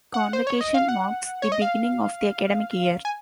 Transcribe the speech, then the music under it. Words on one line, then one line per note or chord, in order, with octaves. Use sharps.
Convocation marks the beginning of the academic year.
F#5
C5
C#5
D#5
F5
F#5
C#5
D#5
F5
G#5